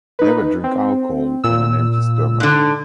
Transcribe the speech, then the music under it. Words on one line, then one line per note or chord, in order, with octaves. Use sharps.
Never drink alcohol on an empty stomach!
D#4 B4
C4
A#2 E6
G#2 D3